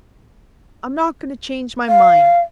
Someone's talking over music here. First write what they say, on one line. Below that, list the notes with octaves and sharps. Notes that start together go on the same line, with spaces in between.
I'm not going to change my mind.
F5